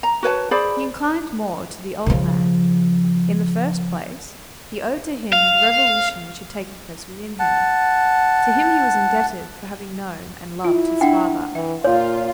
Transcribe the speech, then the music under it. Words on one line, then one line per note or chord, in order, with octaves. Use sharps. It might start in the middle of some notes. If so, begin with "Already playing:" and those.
He inclined more to the old man. In the first place, he owed to him the revolution which had taken place within him; to him he was indebted for having known and loved his father.
A#5
F#4 B4 C#5 A5
G#4 C5 D5 B5
C#3 F3
F5
F#5 A5
E4 F4
D4 F#5 G5
E3 E5
A#2 F4 C#5